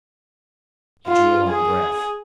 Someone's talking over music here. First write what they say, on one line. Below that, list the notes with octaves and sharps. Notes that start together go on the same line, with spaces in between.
He drew a long breath.
F4
G#4